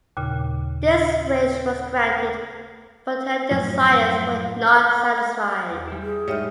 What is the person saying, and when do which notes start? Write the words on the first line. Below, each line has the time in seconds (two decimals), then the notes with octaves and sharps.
This wish was granted, but her desires were not satisfied.
0.17 D#2 A#2 C#3
3.51 F#2 A2 F3
5.70 E2
5.88 G3 E4
6.02 G#4
6.28 G#2 G3 D#4 C#5 E5 F6